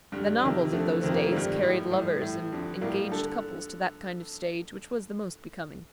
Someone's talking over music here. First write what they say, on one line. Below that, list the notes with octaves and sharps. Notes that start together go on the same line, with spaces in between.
The novels of those days carried lovers and engaged couples to that kind of stage which was the most becoming.
G2 D3 G3
F2 C3 D#3
F2 D3 F3 A3
F2 C3 D#3 C4
A#3
A3
G2 D#3 G3
A2
A2 G3
A2
F2 D3
A2 G3 A#3
D3 A4